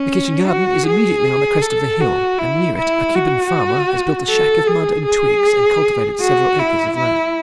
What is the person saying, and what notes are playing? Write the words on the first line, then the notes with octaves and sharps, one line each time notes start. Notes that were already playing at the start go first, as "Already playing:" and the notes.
The kitchen-garden is immediately on the crest of the hill, and near it a Cuban farmer has built a shack of mud and twigs and cultivated several acres of land.
Already playing: C#4
F#4
G#4
A4
F#4
E4
E4
F#4
A4
G#4
G#4
F#4
E4
E4